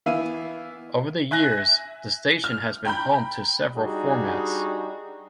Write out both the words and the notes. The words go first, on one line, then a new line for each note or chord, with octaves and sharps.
Over the years, the station has been home to several formats.
E3 B3 E4 E5 F5 D#7
E5 G#5 F#6 A#6
F6
G5 A#5 B5 G6
G3 D4 D#4 F#4 G#4